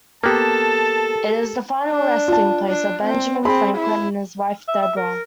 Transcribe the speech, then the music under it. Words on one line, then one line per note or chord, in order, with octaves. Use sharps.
It is the final resting place of Benjamin Franklin and his wife, Deborah.
A#3 B3 G4 A4 A#4 A5
D4
F4 A5
D4
C4
C4 G#4 B5
E4
E5
E5
A#4